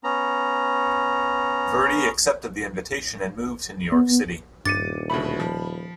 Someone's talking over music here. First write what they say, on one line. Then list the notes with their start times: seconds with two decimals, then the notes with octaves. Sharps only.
Verdy accepted the invitation and moved to New York City.
0.04 B3 C#4 A#5
3.92 B3
4.66 D#1 G2 D6 A6 C#7 D#7
5.10 D2 B2 A3 B5
5.40 F3